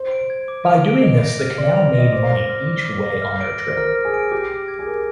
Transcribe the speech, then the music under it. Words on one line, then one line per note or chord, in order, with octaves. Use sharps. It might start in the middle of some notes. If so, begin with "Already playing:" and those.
By doing this, the canal made money each way on their trip.
Already playing: C5
D7
G#6
D6
F7
D7
D#5 F7
A#6
F6
D5 C6
D5 F7
D#5 A#6
C5 D6
A#6
F6
D6
D6
A#6
F6
D7
A#6
C5
A#4 F6
F6
G#4
D7
G4 D6
D7
G#6
G#4
A#4 D6